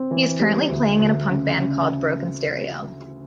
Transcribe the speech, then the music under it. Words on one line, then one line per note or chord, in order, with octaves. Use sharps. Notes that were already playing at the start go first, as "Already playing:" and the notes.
He is currently playing in a punk band called Broken Stereo.
Already playing: C4
E3
G3
D2
D2
C#3
C#3